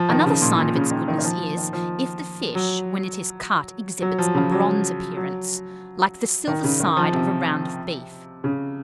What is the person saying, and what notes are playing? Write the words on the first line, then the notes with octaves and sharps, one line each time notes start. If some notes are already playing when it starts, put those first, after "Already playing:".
Another sign of its goodness is, if the fish, when it is cut, exhibits a bronze appearance, like the silver side of a round of beef.
Already playing: F3
D#3
C#3
A#2
A#2
C#3
D#3
D#3
D#3
F3
D#3
F3
F#3
F#3
F3
C#3
F#3
F#3
D#3
C#3
D#3
F3
C3
C#3